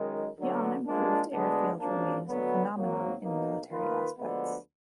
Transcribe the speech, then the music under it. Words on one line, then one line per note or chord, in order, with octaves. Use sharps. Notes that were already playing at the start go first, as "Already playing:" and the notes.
The unimproved airfield remains a phenomenon in military aspects.
Already playing: F#2 D#3 G#3 D#4
D2 D3 F#3 B3
A#1 A#2 G#3 D4 F4
D2 D3 G#3 B3 D4
G#1 F#2 F3 A#3 D4
D2 D3 F#3 B3
G#1 G#2 F#3 A#3
B1 B2 A#3 D#4
D#3 A#3 F4 B4
D2 D3 F3 G#3 B3